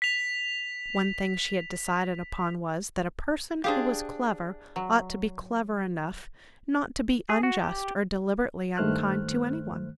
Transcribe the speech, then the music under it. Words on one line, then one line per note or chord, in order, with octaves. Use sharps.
One thing she had decided upon was, that a person who was clever ought to be clever enough not to be unjust or deliberately unkind to any one.
B6 F7
D4 G4 G#4 C5 F5
F#3
G#4
F#4
G4
G2 D#3 A3 C5 F6 F#6